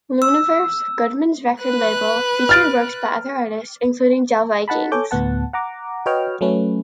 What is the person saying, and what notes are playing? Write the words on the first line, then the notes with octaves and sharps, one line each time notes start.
Luniverse, Goodman's record label, featured works by other artists, including the Del-Vikings.
E6
B4 F#6
F6 A6 D7
D#4 F#5 A5 B5
A4 C#5 G#5 D6 G6
D2 A2 B3 F#5 A5
F#5 A#5 D6
F#4 B4 C#5 D#5 G5 F6
F#3 A3 C#4 B4